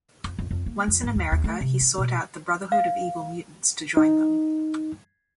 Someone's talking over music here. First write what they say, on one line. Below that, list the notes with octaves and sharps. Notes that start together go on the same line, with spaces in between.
Once in America, he sought out the Brotherhood of Evil Mutants to join them.
F2
F2
F2
A#3
F2
G#1
D#2
D#2
A3
C3
E3
B2
F5
D#4